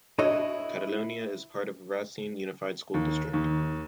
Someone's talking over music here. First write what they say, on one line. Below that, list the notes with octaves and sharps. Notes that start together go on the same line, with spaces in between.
Caledonia is part of Racine Unified School District.
D4 E4 F#4 A4 C#5 D#5
D#2
D#2